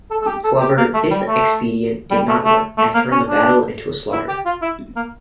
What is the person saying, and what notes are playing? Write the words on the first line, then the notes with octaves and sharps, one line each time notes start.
However, this expedient did not work, and turned the battle into a slaughter.
A4
A4
G4
A4
G4
A#3
A3
G3
A3
G3
A3
A3
A3
A#3
C#4
D4
E4
G4
F4
E4
A#3